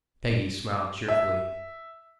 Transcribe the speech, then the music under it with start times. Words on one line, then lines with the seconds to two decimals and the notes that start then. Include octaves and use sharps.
Peggy smiled cheerfully.
1.08 E5